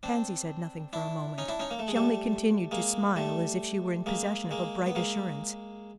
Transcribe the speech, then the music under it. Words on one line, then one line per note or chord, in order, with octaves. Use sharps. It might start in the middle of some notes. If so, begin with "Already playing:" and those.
Pansy said nothing for a moment; she only continued to smile as if she were in possession of a bright assurance.
C4 D4
D4 E4
C#4 D#4
D4 E4
C#4 D#4
A#3
A3
G#3
G3 A3
G#3 A#3
G3 A3
G#3 A#3
G#3 A#3
B3
G#3 A#3